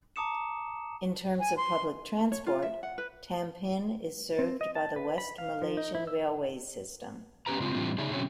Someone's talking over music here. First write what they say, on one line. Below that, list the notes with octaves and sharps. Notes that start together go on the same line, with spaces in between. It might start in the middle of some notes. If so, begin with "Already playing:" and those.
In terms of public transport, Tampin is served by the West Malaysian railways system.
A5 A#5 D6 D#6 C#7 E7
G#5
C6
C#5
F4
E5
F#5
B4
C4
D#5
A5
B4
B5
F5
F3
D#4
E4
E6
B3 C#4 G4 B4 A#5
C#3 G#3 C4 F4
A2 E3 G3 C4 D4 F4
C#3 D#4 G#4 D5 E5
B2 D3 F#3 C4 C#4